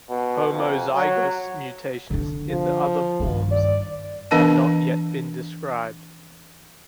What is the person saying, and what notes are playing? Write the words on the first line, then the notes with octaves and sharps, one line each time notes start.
Homozygous mutations in the other forms have not yet been described.
B2
F2
F#3
D3 D4
F3
G2 D#3
D5
E3 B3 D4 A#4 D#5 A5